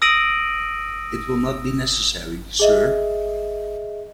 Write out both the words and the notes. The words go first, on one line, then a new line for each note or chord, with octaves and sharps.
It will not be necessary, sir.
D#6 E6 A#6 D7 D#7 F#7
G#4 D#5 E5